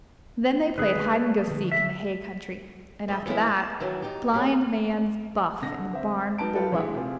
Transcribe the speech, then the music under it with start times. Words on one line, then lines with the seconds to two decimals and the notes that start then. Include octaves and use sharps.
Then they played hide-and-go-seek in the hay country, and after that Blind Man's Buff in the barn below.
0.78 A1 D3 G#4 B4
1.00 G#3 B3
1.48 D3 F3
1.72 E5
3.08 G#3 D#5 E5
3.26 E3 G3 B3 C#4 E4
3.47 A5
3.80 D#3 E3 F#3
4.02 D#4 G4
4.33 G3 A#3 C#4 G#4
5.62 D3 A#6
5.93 C4 E5
6.38 F#3 D#4 B4 A5 D7
6.55 E4 F4 G4 A4 B4
6.72 E3 G#3 D4 E4
6.95 C3 F4 G#4